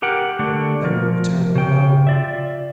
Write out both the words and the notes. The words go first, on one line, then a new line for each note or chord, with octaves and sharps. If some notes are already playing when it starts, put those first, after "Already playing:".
They were returning alone!...
G4 A#4 F#5 G5
D3 A3 D4 G4 F#5
F3 A#4
C#3 G5
F4 D5 E5